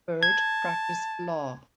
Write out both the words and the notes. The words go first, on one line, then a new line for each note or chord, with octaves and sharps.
Bird practiced law.
A5 G#6